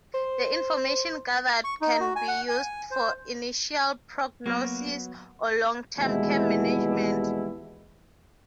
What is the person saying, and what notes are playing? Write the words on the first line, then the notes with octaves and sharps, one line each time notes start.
The information gathered can be used for initial prognosis or long-term care management.
C5
C#6
D#4
F#4
G#5
F#5
G#5
C5
F#3 A#3 B3 F#4
D#2 B2 E3 G3 G#3 E4